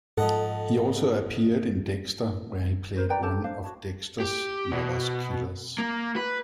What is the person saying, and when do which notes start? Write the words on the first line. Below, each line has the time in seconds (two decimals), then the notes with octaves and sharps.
He also appeared in "Dexter" where he played one of Dexter's mother's killers.
0.18 F2 G#2 A4 D#5 F#5
2.95 A#4 C5 C#5
3.09 B4 D5 G5 A#5
3.22 D4 G4 A4 A5
3.44 D4 C5 F5
3.64 F#4 C#5 A5
4.20 G4
4.72 B2
5.78 A#3
6.16 B4